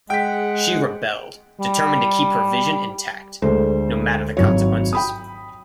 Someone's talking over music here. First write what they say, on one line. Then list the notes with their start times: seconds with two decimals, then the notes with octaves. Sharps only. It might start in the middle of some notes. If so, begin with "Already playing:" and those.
She rebelled, determined to keep her vision intact, no matter the consequences.
0.10 G#3 G#4 F#5 G5 B6
1.61 G3
3.42 D2 D3 G#3 C5
4.37 G#1 F#3 C#5
4.93 G5 B5 D#6